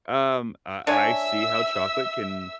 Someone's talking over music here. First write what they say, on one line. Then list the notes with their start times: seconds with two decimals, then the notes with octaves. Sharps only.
um, I I see how chocolate can
0.87 D4 C#5 E5 G#5 E6